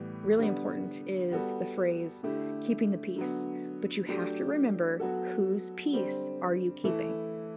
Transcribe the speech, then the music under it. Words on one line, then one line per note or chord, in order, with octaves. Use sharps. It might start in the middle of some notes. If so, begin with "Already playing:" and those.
really important is the phrase "keeping the peace." But you have to remember, whose peace are you keeping?
Already playing: A2 E3 G3 B3
D3 G3 B3
G3 B3 F#4 A4
D3 A3 E4 G4
D3 F#3 B3
F#3 A3 D4 G4
F#3 B3 F#4 A4
D3 G3 C4
E3 A3 E4 A4